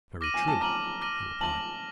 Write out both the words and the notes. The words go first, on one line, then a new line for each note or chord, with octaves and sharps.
"Very true," he replied.
D6 F6 A#6 D#7 F#7
G#5
A5
A#5 D6 F6 A#6 D#7 F#7
D6 F6 A#6 D#7 F#7
A5 D6 F6 A#6 D#7 F#7